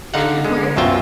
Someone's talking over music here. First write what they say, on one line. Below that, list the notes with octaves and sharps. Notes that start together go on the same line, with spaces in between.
Yeah, right?
D3 D#4 F5 F#5
D3 G#3
C2 F#2 B2 F4 E5 G5